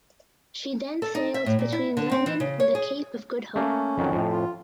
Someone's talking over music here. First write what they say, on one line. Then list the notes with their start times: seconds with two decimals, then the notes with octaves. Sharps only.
She then sailed between London and the Cape of Good Hope.
1.02 A4
1.15 D#4
1.34 E5
1.46 A2
1.59 A#2
1.72 E4
1.97 D3
2.11 C4
2.26 E3
2.40 C#3
2.60 C#5
2.75 G#4
3.56 A3 A#3 C#4
3.98 F2 D#3 F#3
4.12 F2 A2
4.32 F4